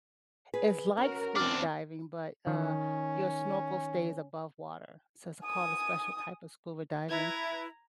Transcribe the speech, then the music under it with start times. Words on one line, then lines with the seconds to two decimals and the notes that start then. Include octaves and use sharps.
it's like scuba diving, but, uh, your snorkel stays above water, so it's called a special type of scuba diving.
0.54 G#4 B4
0.97 C#4 F#4 A#4
1.36 E2 C4 D4 D6 F6
2.47 D#3 C#4
5.45 G#5 D#6
7.09 E4 B4 A#5 G#6